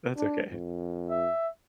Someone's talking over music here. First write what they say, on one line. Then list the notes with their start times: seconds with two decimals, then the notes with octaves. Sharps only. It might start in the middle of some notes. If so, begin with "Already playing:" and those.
That's okay.
0.17 D4
0.50 F2
1.10 E5